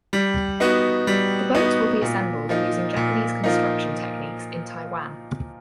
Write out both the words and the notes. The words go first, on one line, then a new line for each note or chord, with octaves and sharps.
The boats will be assembled using Japanese construction techniques in Taiwan.
G3
B3 D#4 F#4
G3
B3 D#4 F#4
A#2
F3 A#3 D#4
A#2
F3 A#3 D#4